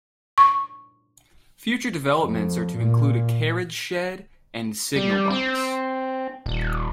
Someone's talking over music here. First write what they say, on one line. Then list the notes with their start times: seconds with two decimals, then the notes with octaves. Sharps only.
Future developments are to include a carriage shed and signalbox.
0.38 C#6
2.20 F2
2.75 A#2
4.96 G3
5.31 C4
6.46 D#1